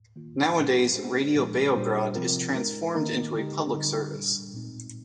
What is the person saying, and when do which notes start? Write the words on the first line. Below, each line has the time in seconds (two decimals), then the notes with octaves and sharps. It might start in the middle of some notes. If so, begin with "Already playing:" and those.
Nowadays, Radio Beograd is transformed into a public service.
0.16 D#3 A#3 F4
0.55 A#2 F3 G#3 D4
0.96 G#3 D4 G#4 C5
1.35 A#2 F3 G#3
1.75 A#2 G3 D4 G4 C5
2.15 C3 F3 C4 F4 A#4
2.55 G#3 D#4 A#4
2.94 D#3 A#3 D#4 A#4
3.34 D3 G#3 D#4 G4
3.74 D3 G3 C4 D#4
4.14 A#2 G3 D4
4.53 A#2 G#3 C4 D#4